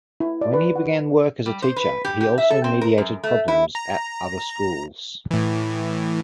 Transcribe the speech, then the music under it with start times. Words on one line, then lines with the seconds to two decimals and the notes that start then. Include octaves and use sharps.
When he began work as a teacher, he also mediated problems at other schools.
0.20 E4
0.41 D5
0.54 B4
0.76 F#5
1.46 G3
1.62 C5
1.76 B4
2.04 G4
2.21 G4
2.38 E5
2.50 A4
2.64 C4
2.81 A#4
2.98 F#2
3.23 A3
3.48 E4
3.75 A#5
5.31 A2 E3